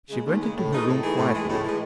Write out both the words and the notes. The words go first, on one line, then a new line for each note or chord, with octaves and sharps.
She went into her room quietly.
C#3 G#3
D#2
C#3 G#3
A2
E3 A3 D#4 G#4
A2
E3 A3 D#4 G#4
A2
E3 G#3
A2
E3 G#3